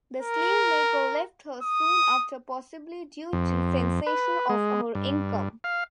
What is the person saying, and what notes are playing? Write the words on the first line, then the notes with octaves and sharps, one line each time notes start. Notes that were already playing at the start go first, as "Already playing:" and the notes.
The sieve-maker left her soon after, possibly due to the cessation of her income.
A#4
D#6
F2
B4
G#3
G2
F5